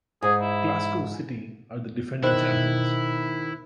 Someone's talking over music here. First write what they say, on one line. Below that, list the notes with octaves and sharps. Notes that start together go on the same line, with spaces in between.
Glasgow City are the defending champions.
G#2 G#4
E4
B2 D#3 E4 C5 F#6